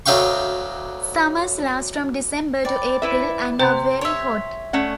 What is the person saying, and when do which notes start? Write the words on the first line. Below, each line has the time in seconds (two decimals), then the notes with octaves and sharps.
Summers last from December to April and are very hot.
0.06 D2 F#3 E5 F5 G5 C#6
2.65 C5 D5 G5 B5
3.02 E4 B4 E5
3.60 C3 C5 G5 C6
4.01 C#5 E5
4.73 A3 C#4 D5 F#5